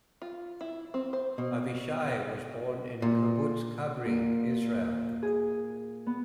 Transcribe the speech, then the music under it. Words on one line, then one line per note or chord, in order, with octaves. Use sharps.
Avishai was born in Kibbutz Kabri, Israel.
F4
E4
C4
C5
B2
A#2
A#2
G#4
B3